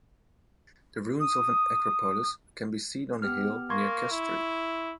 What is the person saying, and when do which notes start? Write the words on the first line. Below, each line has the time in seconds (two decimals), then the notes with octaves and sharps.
The ruins of an acropolis can be seen on a hill near Kastri.
1.20 D#6
3.22 B3 G4 F6
3.70 A#3 C6 C#6 G#6
4.11 E4